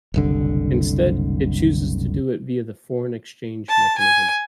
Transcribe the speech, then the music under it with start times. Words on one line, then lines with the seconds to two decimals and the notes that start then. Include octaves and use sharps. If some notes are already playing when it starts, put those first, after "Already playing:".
Instead, it chooses to do it via the foreign exchange mechanism.
0.14 F#1 C2 D3
3.68 A5
3.98 G#5